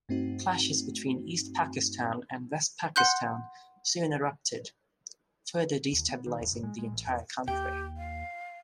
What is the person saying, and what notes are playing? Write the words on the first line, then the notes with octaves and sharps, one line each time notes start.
Clashes between East Pakistan and West Pakistan soon erupted, further destabilising the entire country.
G2 A3 C4 D#4 F#4
F#5 C6 F#6 G6
D#2
B3
D#3
D#1
G1
G#3
G#3
A1
E2
D#2 G4 G5
F5